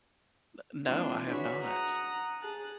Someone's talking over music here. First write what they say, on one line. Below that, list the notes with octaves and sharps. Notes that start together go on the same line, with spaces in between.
N no, I have not.
E3 G#3 A#3 C4 D4 F4
D4 F#4 G#4 B4 C#5 E5
F#5 A#5 D#6 F#6
G#4 A5 F#6